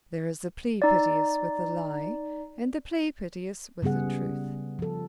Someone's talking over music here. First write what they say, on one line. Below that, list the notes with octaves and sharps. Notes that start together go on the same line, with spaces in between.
There is the plea piteous with a lie, and the plea piteous with a truth.
D#4 D5
C#3 G3 B3 G#4 F#5
F3 A4